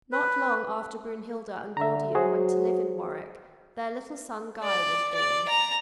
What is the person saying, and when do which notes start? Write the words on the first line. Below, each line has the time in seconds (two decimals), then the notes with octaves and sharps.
Not long after Brunhilda and Gordian went to live in Warwick, their little son Guy was born.
0.12 B4
1.77 D3 E5 A#5
2.15 F#3 F#4 G#4 C5
4.63 D5
5.14 D5
5.48 A#5